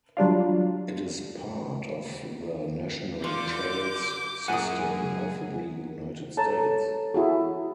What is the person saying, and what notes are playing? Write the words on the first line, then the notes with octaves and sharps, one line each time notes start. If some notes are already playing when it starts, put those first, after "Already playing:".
It is part of the National Trails System of the United States.
F#3 G3 D4 F4
D3 F4 D6 G6
F#2 G#4 F#5 G#5 D#6
A4 C#5 A5 A#5
E4 F#4 G#4